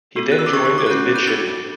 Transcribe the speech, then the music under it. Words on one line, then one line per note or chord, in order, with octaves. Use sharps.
He then joined as midshipman.
B3 F#4 A4
F#6
E6
D6
D4 G4 C#6
C#6
D6
F#6
C#4 F#4 A4 G6
G6
D4 F#4 A4 A6